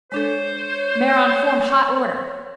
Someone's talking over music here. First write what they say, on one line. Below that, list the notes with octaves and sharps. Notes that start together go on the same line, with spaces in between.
Mare on form hot order.
G#3 D4 A4 C5 C#5